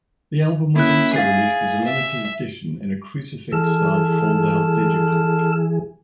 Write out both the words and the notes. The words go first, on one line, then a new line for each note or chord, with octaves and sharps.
The album was also released as a limited edition in a crucifix-style fold-out digipak.
A#3 C#4 E4 F#6
G#4 F5 A6 C7
E5
E3 G#4 A4 A5 F6